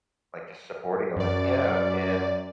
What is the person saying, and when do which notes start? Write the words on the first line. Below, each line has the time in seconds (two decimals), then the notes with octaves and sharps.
like, just supporting him and yeah. And
1.16 F#2 D5